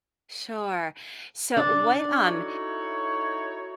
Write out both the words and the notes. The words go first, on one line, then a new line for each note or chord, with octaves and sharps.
Sure. So what um,
D4
D#4 E4 F#4 A4 C#5